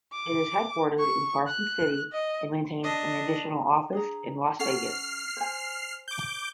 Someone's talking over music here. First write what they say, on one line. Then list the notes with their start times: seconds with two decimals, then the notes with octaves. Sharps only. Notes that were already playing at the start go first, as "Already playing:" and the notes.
It is headquartered in Carson City and maintains an additional office in Las Vegas.
0.13 D6
0.99 C#6
1.47 F#6
2.13 D#5
2.84 D4 D#5
3.93 D4 G#4 A#5
4.59 C#4 A4 F#5 F6 C7
5.37 C5 G#5
6.08 D6 G6